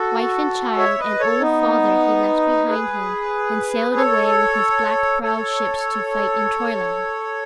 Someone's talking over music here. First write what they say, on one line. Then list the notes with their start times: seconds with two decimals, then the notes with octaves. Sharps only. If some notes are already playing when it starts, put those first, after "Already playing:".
Wife and child and old father he left behind him and sailed away with his black-prowed ships to fight in Troyland.
Already playing: F#4 A4
0.78 C#5 E5
1.00 B4 D#5
1.20 A4 C#5
1.41 B3 D#4
2.69 G#4 B4
3.96 A4 C#5
5.22 A4 C#5